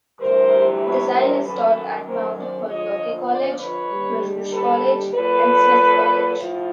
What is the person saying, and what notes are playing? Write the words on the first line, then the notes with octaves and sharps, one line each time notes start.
Desai has taught at Mount Holyoke College, Baruch College and Smith College.
D2 C3 E3 G3 A#4 C5
B4 C#5
A#4 C5
F#2 D#3 F#3 A4 B4
A#4 C5
C5 D5
F2 D3 F3 C#5 D#5
C5 D5
B4 C#5
D#2 D3 G3
A4 B4
A#2 F#3 A4 B4
A2 F3